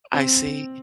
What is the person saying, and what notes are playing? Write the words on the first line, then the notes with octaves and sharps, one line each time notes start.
I see.
C4